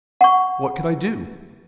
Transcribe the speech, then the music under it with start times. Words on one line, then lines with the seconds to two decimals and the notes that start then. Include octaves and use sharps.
What could I do?
0.21 F#5 C#6